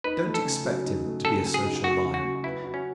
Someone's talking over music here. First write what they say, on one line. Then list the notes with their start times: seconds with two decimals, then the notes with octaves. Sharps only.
Don't expect him to be a social lion.
0.04 D#4 B4
0.25 A3
0.34 A4
0.45 C#3
0.64 F#3
0.84 D#4
1.05 A3
1.24 C#3 A4
1.44 F#3
1.54 G#4
1.64 D#4
1.84 A3 F#4
2.04 C#3
2.14 F#4
2.24 F#3
2.44 E4 B4
2.64 F#4
2.74 C#4